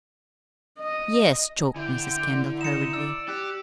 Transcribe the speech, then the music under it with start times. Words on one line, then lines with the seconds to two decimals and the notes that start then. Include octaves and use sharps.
"Yes," choked Mrs. Kendall, hurriedly.
0.79 D#5
1.76 D3 E4 G5
2.61 D#4 C#7 E7
2.93 D5 E6
3.28 G4 F#6